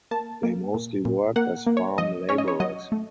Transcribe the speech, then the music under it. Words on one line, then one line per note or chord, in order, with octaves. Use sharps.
They mostly work as farm labourers.
A#3 A5
A#3
A#2
A#2
A#3 F#5
A#3
C#5
F3 D#5
C#4 C#5
D#5
C#5
F#3 D#5
A3